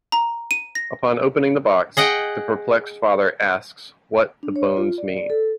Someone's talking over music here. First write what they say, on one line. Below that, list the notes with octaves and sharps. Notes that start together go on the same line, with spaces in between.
Upon opening the box, the perplexed father asks what the bones mean.
A#5
D#7
A#6
G#4 D#5 F#5 G5
D4
C#5
F4
D5
A4